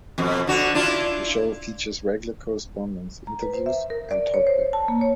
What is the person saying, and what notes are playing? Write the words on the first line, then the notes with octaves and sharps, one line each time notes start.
The show features regular correspondents, interviews and talkback.
F2 B2
D3 F#4
D4 E4 F4
A#5
B4
C5
E5
A#4
D5
C#5
C5
A5
A#3
C#5